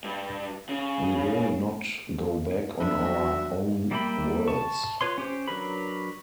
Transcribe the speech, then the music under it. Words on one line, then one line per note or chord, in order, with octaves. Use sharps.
We will not go back on our own words.
G2
C#3
F3 D4 E5 B5
F#3 F#4
G3 A#3 E5 G5 B5
A5 C#6
F4 B4 C#5 C6
C#4 G4 C5
F#3 D4 A#4 B4 B5